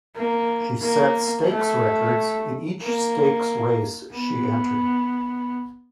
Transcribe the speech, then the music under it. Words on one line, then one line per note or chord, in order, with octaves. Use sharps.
She set stakes records in each stakes race she entered.
A#3
A#3
A3
A#3
B3